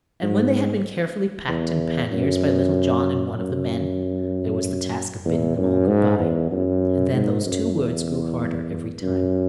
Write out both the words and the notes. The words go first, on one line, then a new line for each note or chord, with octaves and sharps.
And when they had been carefully packed in panniers by Little John and one of the men, there was the task of bidding them all good-bye, and then those two words grew harder every time.
G#2
E2
F#2
F#2
E2
F#2
G#2
E2
F#2
G#2
F#2
E2
F#2